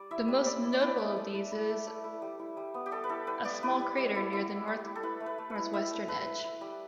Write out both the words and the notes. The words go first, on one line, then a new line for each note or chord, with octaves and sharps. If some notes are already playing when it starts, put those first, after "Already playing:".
The most notable of these is a small crater near the north-northwestern edge.
Already playing: G3 D5
E4 E5
G3
G3 D5
E4
D5
E4 B4
A3
A3
E4
E4
A3
A3
E4
G3
E4
G3
B3
G4
G3 A4
B4
E4 A4
G3 B4
B3 D5
E4 B4
G3
G3
E4
E4
G3
G3
E4
A4
E4 B4
A3
B4
A3
B4
E4
E4 E5
A3
A3 B4
E4
E4
G3